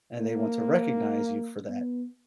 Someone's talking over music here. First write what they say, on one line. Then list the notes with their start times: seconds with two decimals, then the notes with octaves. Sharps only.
and they want to recognize you for that.
0.19 A#3
1.68 B3